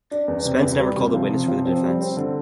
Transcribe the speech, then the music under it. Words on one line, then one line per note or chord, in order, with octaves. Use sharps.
Spence never called a witness for the defense.
D4
E2
C3
E2
G3
C3
F3
C3
F3
C4
G3
C4
D3